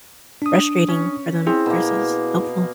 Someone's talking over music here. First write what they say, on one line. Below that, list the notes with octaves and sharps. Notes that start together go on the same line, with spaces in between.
frustrating for them versus helpful.
D4 D#6
C#4
C4 E4 G#4
B2 A#3